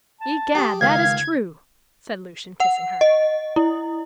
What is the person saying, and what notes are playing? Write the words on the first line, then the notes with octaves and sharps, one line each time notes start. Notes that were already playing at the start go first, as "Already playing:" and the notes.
"Egad! that is true!" said Lucian, kissing her.
A5
G4 G#4
C#2 D#3 F5 G#6
F#5
D#5
E4